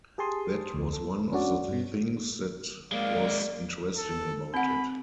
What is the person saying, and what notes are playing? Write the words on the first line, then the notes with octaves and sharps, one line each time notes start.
That was one of the things that was interesting about it.
G4 G#4 A5 C6 D#6
D2
A4
C#4 D4 F#4 D5
G2 B2
G#3 A#3 D5 F5
A4
C4 F#5 B5